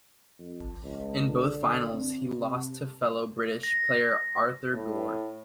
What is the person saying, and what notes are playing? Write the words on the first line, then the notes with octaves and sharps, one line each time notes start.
In both finals he lost to fellow British player Arthur Gore.
F2
C#2
D3
C4
C3
A#6
A2